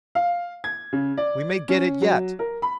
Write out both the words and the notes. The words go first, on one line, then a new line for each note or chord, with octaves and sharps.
"We may get it yet!"
F5
G#6
C#3
D5
C#4
F#3
A#4
B5